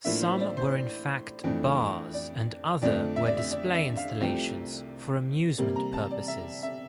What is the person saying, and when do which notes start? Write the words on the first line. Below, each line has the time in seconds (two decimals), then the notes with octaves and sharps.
Some were in fact bars and other were display installations for amusement purposes.
0.04 A2 F3 A#3 D4 E5
0.22 C5
0.40 D5
0.57 C5
1.44 F2 E3 A3 D4
2.13 D5
2.82 F2 D3 A3 D4 D5
3.16 E5
3.26 D5
3.38 E5
3.51 D5
3.74 E5
3.97 F5
4.21 C2 C3 F3 A3 G5
5.58 C3 G3 A#3
5.76 A#5
5.93 A5
6.11 D5
6.28 E5
6.63 E5